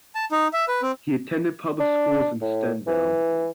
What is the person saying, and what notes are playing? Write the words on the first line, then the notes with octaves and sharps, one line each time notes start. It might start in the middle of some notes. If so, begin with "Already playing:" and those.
He attended public schools in Stendal.
A5
D#4
E5
B4
C4
D4
A2
E3